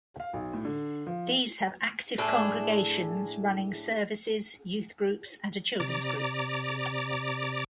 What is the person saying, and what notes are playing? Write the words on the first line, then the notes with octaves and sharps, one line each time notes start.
These have active congregations: running services, youth groups and a children's group.
F5
B1
A2
D3
F3
A2 D4 G#4 A4
C3 D5 A#5 D6